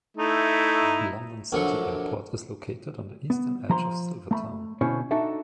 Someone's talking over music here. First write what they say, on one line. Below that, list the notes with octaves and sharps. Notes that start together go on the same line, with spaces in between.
London City Airport is located on the eastern edge of Silvertown.
A3 D#4 E4
A#1 D3 F#3 C#6
B3
F3 A#5 C6
A3 A#5 B5
B2 D3 C#4 E4 C5 C#5
D4 D#4 F#4 A4 E5